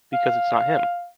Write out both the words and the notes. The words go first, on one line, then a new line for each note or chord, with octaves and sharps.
Because it's not him.
F5